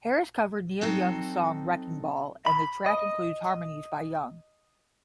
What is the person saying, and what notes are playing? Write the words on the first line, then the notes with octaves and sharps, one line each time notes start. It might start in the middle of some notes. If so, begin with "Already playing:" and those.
Harris covered Neil Young's song "Wrecking Ball", and the track includes harmonies by Young.
F#3 C4 D#4 F#4 A4
B5
D#5